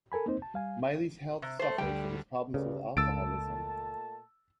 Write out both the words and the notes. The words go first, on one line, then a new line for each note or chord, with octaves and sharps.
Miley's health suffered from his problems with alcoholism.
A4 A#4 G#5 B5
A#3 C4 D#4 C5
A5
G3 F5 G#5
C3
A3 C5
D2 D3 G3 G5
D2 G2 C#3
C#2 A#2 A3 A5 E6 A6 D7